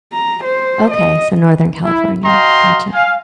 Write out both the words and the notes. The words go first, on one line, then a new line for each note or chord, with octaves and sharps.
Okay, so, Northern California. Gotcha.
A#5
C5
D#5
E4
F#4 D#5 F5 G5 A#5 C6
F5 G#5